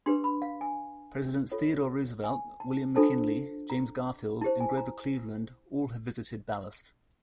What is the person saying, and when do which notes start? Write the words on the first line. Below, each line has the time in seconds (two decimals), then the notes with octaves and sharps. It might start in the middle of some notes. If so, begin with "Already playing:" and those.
Presidents Theodore Roosevelt, William McKinley, James Garfield and Grover Cleveland all have visited Ballast.
0.06 D4 G4 B4 C6
0.24 B5
0.42 F5
0.61 G#5
1.52 F4 A4 C#5
2.24 G#5
2.60 A5
2.96 D4 F4 A4 C5 A5
3.70 A#5
4.41 E4 G4 C5 A5
4.60 G#5
4.77 A#5